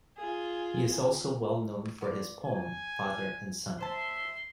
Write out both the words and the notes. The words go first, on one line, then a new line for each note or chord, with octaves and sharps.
He is also well known for his poem, Father and Son.
F4 G#4
B3 F4 D5
G#5
C5 E5 A5 C6